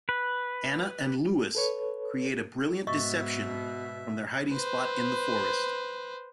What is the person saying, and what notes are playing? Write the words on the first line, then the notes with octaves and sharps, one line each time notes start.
Anna and Louis create a brilliant deception from their hiding spot in the forest.
B4
A4 B4 C#5
G#2 B2 D#5 E5 C#6
B4 C5